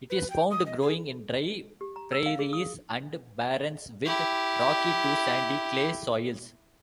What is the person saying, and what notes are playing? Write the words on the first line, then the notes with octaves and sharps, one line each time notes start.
It is found growing in dry prairies and barrens with rocky to sandy-clay soils.
B4
G5
D#6
D#5
G#4
G4
A#5
E6
F5
G#4
D#6
E4 G4